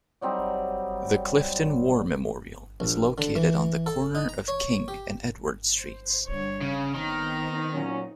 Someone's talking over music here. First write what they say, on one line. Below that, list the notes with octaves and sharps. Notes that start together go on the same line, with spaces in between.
The Clifton War Memorial is located on the corner of King and Edward Streets.
F#3 G3 C4 D#4
A#1
D3
E3
A4
D#4
A#5
C#5
G4
C5
G2 D3 G3 C#5
C#3
D#3 B3 C4 D#4 A#5
A#2 F#3 C#4